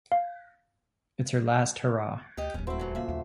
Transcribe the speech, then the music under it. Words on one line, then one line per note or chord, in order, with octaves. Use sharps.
It's her last hurrah.
F5
D2 G4 D#5
D1 D#2 G3 C#4
A3 C4 E4 F#4 C5
E3 F#3
A#2 C#3 E5
D#2 G3 E4